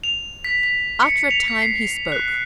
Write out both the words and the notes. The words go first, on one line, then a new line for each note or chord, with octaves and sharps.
After a time he spoke.
F7
B6
B6
C#7
F7
B6
C7
F#6